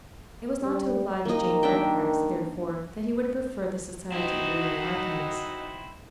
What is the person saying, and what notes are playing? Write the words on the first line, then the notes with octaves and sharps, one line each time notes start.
It was not to oblige Jane Fairfax therefore that he would have preferred the society of William Larkins.
G3
D#3 A#3 D#5
D4 E5 G5
C4 D#4 E4 F#4 D#5